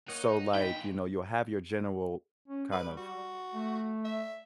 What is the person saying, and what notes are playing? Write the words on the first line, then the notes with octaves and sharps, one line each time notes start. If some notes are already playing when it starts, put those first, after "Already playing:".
So, like, you know, you'll have your general kind of
A#3 D#4 C#5 D#5 F#5
G2 A#2 D#4 G5 B5
C#4
G3 B4
F#4
A3
E5